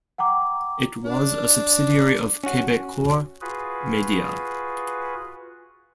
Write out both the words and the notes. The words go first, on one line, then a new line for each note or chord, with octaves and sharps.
It was a subsidiary of Quebecor Media.
F#5 G5 A#5 D6
D4
C#4 F#4
F4 F#4 G#4 B4